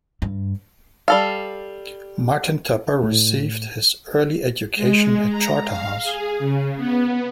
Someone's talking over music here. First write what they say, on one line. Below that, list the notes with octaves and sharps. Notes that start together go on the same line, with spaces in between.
Martin Tupper received his early education at Charterhouse.
G2
G3 A4 F5
A2
G#3
A#5
F5
G#4
C#3
B3